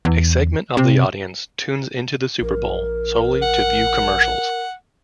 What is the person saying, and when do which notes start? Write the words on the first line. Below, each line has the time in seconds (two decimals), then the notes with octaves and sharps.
A segment of the audience tunes into the Super Bowl solely to view commercials.
0.05 E2
0.77 C3
2.41 A#1 A#4
3.42 F#5